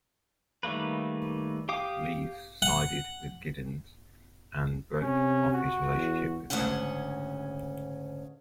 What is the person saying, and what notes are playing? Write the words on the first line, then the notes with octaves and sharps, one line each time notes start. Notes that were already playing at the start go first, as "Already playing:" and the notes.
Leese sided with Gittens and broke off his relationship with Baron.
D#3 G3 A3 A#3 B4
G4 F5 G5 D6 D#6
F#5
C3 C#4
F#4
E2
D2 G#2 C#3 C#4 F#5